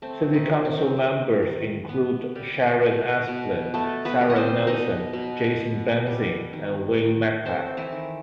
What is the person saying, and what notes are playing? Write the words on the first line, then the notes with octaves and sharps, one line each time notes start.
City Council members include Sharon Asplin, Sara Nelson, Jason Benzing, and Wayne Medcraft.
A3 C4
D#3 D#4
F#3
C4
D#3
D#3
B3
G3
B2
B2
A3 B3 A4
B3 B4
G3
D#5
C4 C5
B2 D#4 D#5
B2
B3
G3
D#3
D#3
A3 C4 C5
E3 E4
D#3